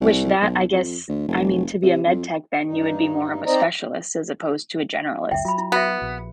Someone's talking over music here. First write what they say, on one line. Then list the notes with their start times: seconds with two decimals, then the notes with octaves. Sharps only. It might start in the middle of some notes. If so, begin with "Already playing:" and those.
Wish that I guess, I mean to be a med tech, then you would be more of a specialist as opposed to a generalist.
0.01 C2
0.42 B1
0.72 F2
1.09 D2
1.28 F1
1.82 C3
2.07 F2
2.65 G2 D#4
3.46 C4 D#4 C5 D5 D#5 A#5
5.31 C#2 F#2 E5 G5
5.45 F#3 F4 B5
5.58 E4
5.72 B3 F#4 E5
6.02 A#1